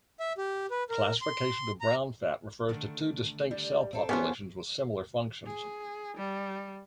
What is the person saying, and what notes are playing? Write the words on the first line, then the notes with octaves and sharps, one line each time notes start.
Classification of brown fat refers to two distinct cell populations with similar functions.
E5
G4
B4
A#4
C6
A#5
D3 D#3 A3
G3
C4 A4
F3 B3 C#4 G4 G#5
G#4
G3